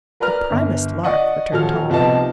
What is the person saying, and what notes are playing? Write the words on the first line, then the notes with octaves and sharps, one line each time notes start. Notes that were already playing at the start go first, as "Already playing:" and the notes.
"The primest lark," returned Tom.
A#4 B4 D5 A#5 F6
G1
D5 D#5 F#5 C#6
D#1 F3 F#3 A4 F6
C2 F3 B3 D#4 A5